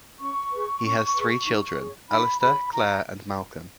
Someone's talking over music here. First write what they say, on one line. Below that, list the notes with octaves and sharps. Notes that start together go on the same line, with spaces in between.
He has three children, Alastair, Claire, and Malcolm.
C#4 C#6
G#4 B4
C#4
G#4 B4
D#4
G#4 C#5
D#4 B5
G#4 C#5 B5
E4 A#5